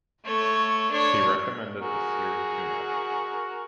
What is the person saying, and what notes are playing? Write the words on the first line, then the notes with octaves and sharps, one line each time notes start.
He recommended the seared tuna.
A3 C#5
D4 C#5
F#4 G#4 A#4